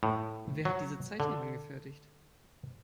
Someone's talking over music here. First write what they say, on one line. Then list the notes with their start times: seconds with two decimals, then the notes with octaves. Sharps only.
Wer hat diese Zeichnung angefertigt?
0.03 A2
0.65 F#3
1.20 D3